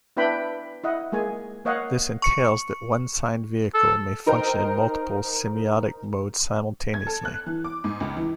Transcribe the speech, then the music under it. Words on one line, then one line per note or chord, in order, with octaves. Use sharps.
This entails that one sign-vehicle may function in multiple semiotic modes simultaneously.
B3 D4 E4 B4 G5 B5
E4 D#5 F#5
G#3 A#3 G#4 G#5
A#3 C#5 D#5 F5 F#5
C#6 C#7
A4
D#4 A#4 C5 G5
G#6
A4
F#6
E3
D6
G#2
C#2
E3